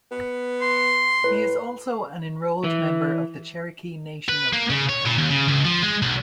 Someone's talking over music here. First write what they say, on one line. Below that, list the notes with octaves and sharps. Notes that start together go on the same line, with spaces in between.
He is also an enrolled member of the Cherokee Nation of Oklahoma.
B3
C6
A2 B4
E3
B4
A#3
C#3
C#5
A#2
D#2
C#3
C#2
F3
G#3
B1